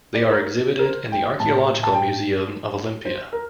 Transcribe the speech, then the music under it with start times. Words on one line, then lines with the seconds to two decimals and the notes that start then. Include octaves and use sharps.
They are exhibited in the Archaeological Museum of Olympia.
0.14 D5
0.22 C5
0.29 A#4
0.79 A#4
0.85 C5
1.12 G5
1.40 A2 A5
1.83 A5
1.94 G5
3.05 C5
3.33 A#4